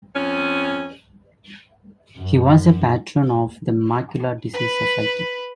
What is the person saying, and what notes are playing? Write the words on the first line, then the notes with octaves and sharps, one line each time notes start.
He was a patron of the Macular Disease Society.
F2 C#4
F#2
B4 B5